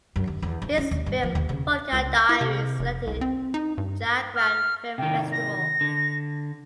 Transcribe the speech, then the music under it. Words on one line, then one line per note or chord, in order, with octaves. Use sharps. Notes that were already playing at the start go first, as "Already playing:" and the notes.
His film Vodka Diaries selected in Jagran Film Festival.
F#2
D#2
E2
F3
C#4
D#2
G2
F3
D#2
C#3
C#2
E4
C3
F1
C2
C4
D#4
G2
F6
C3 D#3 G5
A#6
D3